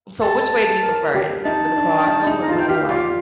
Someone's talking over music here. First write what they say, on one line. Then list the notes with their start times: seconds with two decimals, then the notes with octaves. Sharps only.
So, which way do you prefer it? Like, with the clamato or lemon lime?
0.21 A4 A5
0.83 A#4
1.15 G4
1.45 D#4 A5
1.76 D4
2.07 D#4
2.27 D#4
2.42 A#5
2.48 F4 A5
2.60 G5
2.68 G4 F5
2.89 F4 D5